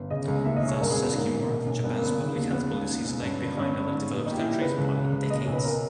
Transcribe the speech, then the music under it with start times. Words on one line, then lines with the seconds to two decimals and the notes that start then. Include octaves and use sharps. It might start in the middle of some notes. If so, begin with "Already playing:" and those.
Thus, says Kimura, Japan's public health policies lag behind other developed countries, by "decades".
Already playing: G1
0.10 C#3 D#5
0.28 C#2
0.45 D#2 E5
0.56 D#5
0.62 E1
0.68 C#5
0.80 G2 A#4
0.91 G#4
0.97 G1
1.03 B3
1.14 G#2 A#3
1.32 A#1
1.49 B2
1.67 B1
1.84 G2 B3
1.95 A#3
2.01 G1
2.06 B3
2.19 C#3
2.35 D#2
2.52 C#3 B3
2.70 C#2
2.87 D#2
3.04 E1
3.22 G2 C#4
3.39 G1
3.57 G2 C#4
3.74 G1
3.92 G#2
4.09 A#1
4.26 A#2 D#4
4.32 G4
4.37 E4
4.43 A#1
4.49 G4
4.61 C#3 B4
4.78 C#2
4.95 C#3
5.13 C#2
5.30 A#2 D#5
5.42 C#5
5.47 B1
5.53 B4
5.64 B2 A#4